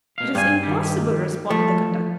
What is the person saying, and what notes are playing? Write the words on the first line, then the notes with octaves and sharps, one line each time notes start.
"It is impossible," responded the conductor.
B2 F5
G2 F5 G#5
D#3 G3
F3 A3